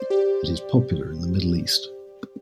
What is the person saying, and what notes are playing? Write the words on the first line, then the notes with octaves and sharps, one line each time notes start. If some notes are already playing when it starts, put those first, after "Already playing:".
It is popular in the Middle East.
Already playing: C5 D5
G4